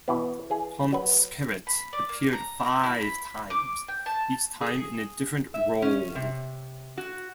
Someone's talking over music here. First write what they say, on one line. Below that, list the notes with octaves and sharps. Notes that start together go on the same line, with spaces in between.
Tom Skerritt appeared five times, each time in a different role.
B2 E3 B3
E3 G#4
F#3 B4
B5
D5
A#3
A#5
A#5
E4
B5
D6
G5
A5
G#4
E5
C#4
C3
F#4